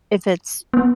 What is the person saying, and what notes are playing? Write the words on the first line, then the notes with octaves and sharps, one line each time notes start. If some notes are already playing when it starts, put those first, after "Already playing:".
if it's
B3